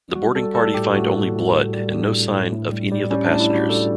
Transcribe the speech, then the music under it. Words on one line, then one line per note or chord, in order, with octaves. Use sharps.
The boarding party find only blood and no sign of any of the passengers.
G3 F#4
G3 A4
G3 A4
A2 G4
A2 F#4
A2
A2
A2
G3
A2 D4
A2
A2
A2
G3
G3
G3 C#4
A2 D4
E4
G3
F#4
G3 A4